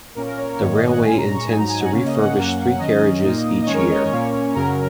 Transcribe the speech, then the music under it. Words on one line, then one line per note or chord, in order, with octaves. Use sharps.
The railway intends to refurbish three carriages each year.
A#2 A#3 C#4 A#4
A#4
C#5
A#4
G#2 D#3 A#3 C#5
D#5
F#5
A#2 G#3 C#4 G#5
A#5
C#6
G#2 F#3 D#4 G#5
A#5
G#5
F#5
C#3 A#3 C#4 C#5
D#5
F#5
F#2 F#3 A#3 C#4
D#3 F#3 C#4 D#5
A#2 A#3 D#4
D#5
D#3 G#3 C#4 C#5
A#4
C#5
D#5
C#5
A#2 A#3 C#4
F#2 C#3 F#3 C#4 A#4